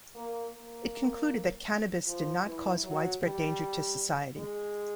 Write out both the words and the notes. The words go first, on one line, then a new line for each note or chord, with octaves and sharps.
It concluded that cannabis did not cause widespread danger to society.
A#3
A#3
F3
E3
F#3
G3
G#3